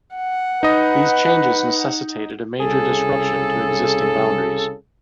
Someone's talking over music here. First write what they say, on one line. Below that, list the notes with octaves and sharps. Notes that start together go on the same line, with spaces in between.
These changes necessitated a major disruption to existing boundaries.
F#5
D#4 B4 D#5
C2 C#3 G#4 A4